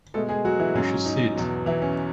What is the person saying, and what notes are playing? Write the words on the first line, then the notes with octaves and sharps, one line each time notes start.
You should see it.
B2 G#3 A3 A4
G#3 G#4
F#3 F#4
E3 E4
G#2 F#3 C#4
D#4
E2 B2 F#3
E3 E4
C#4